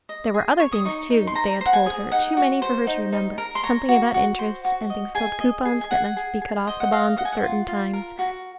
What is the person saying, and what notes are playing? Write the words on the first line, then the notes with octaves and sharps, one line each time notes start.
There were other things, too, that they had told her--too many for her to remember--something about interest, and things called coupons that must be cut off the bonds at certain times.
D#5
G#4
C#5 C#6
D#6
D#4 C#6
D#4
C6
C5 A#5
C5
F#5
G#5
G#4
D#4 F#5
F#4
C5
D#4
D#4
A#4
C6
C#5 A#5
F#4
F#4
C5
F#4
D#5
G#4 G#5
D#5
G#4
G#5
G#4 F#5
G#4
G#4
C5 D#5
F#5
D#5 F5
D#5 F#5
G#5
F#5
F4
F4
A#4
F#4